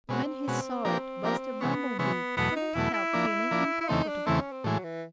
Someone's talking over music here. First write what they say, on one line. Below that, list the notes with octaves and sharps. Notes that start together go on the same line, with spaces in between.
When he saw it Buster Bumblebee couldn't help feeling uncomfortable.
B2 G#3 C4 C#4 F#4
B2 G#3 C#4 F#4
F3 A#3 C4 D4 G4 A#4
F3 A#3 D4 G4 A#4
C3 E3 G#3 B3 C#4
C3 E3 G#3 B3 C#4
E2 B2 F#3 A3 B3
D#4
E2 B2 F#3 A3 E4
E4
F3 A#3 D4
F3 A#3 D4
E4
E2 C#3 E3 A3 C4 D#4
D4
E2 C#3 E3 A3 C4 E4
C#4
C4
A2 E3 F#3 G#3
E3